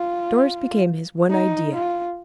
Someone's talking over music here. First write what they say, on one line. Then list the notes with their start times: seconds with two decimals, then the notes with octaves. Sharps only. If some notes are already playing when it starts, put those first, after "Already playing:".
Doris became his one idea.
Already playing: F4
1.30 D#4
1.74 F4